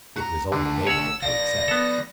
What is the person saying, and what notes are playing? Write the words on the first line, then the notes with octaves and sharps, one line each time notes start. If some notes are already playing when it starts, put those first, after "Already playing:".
It was only neighbourly to accept.
F#4 A#5
D2 D3 D4
C#5 F#5 E6
F3 D5 A#6
B3 A4